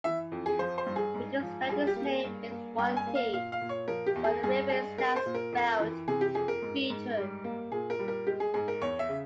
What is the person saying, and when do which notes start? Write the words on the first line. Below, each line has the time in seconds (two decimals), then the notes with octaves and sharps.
Beaton spelled his name with one "t" but the river is now spelled Beatton.
0.04 E3 E5
0.32 F2
0.46 G#4
0.59 F3 C5
0.78 C5
0.86 G2
0.96 G#4
1.14 G#2
1.41 F3
1.69 G3 G#4
1.87 G4
1.96 A#3
2.05 G#4
2.24 G2
2.51 A#3
2.78 G2 G5
2.97 G#5
3.07 A#3
3.15 F5
3.33 A#2 F5
3.52 F5
3.61 A#2
3.69 C#5
3.88 F3 A#4
4.06 G4
4.16 E2
4.24 G#4
4.43 G2 G#4
4.70 G#3 G#4
4.97 G#3 A#4
5.16 C5
5.26 A#2
5.35 A#4
5.52 F2
5.80 E3
6.08 C3 G#4
6.21 G4
6.35 F2 G#4
6.48 A#4
6.62 G#2
6.90 G#2
7.17 G3
7.44 A#3
7.72 A#2 G#4
7.90 A#4
7.99 G3
8.08 A#4
8.27 G#3 G4
8.40 G#4
8.54 G#2 G#4
8.68 A#4
8.81 E2 C#5
8.99 E5
9.09 C#3